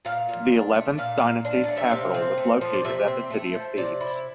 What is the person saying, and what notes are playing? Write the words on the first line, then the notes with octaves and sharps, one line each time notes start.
The Eleventh Dynasty's capital was located at the city of Thebes.
A#2 F5
A#2
D4
A3
A#2 F5
A#2
D4
A3 D5
E5
C3 F5
C4
A3
F3
D5
C3 E5
C4
A3
F3
C3 D5
E4